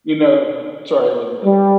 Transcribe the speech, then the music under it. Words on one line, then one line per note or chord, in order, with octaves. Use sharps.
you know, sorry, I wasn't like,
G3